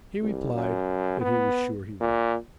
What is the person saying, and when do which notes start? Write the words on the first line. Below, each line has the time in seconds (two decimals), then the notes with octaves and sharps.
He replied that he was sure he would.
0.22 C2
0.53 F#2
1.21 B3
2.01 A#2